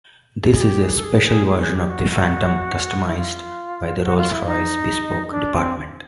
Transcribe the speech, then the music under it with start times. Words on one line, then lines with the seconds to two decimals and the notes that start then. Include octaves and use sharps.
This is a special version of the Phantom customized by the Rolls-Royce Bespoke department.
0.53 G#4
0.61 G4
0.82 G#4
0.96 A4
1.04 G#4
1.26 G#4
1.47 G#4
1.60 G#4
1.75 G4
1.90 F#4
2.10 F#4
3.06 E4
3.17 F4
4.04 F#4
4.17 F4
4.32 E4
4.46 D#4
5.31 D4
5.54 C4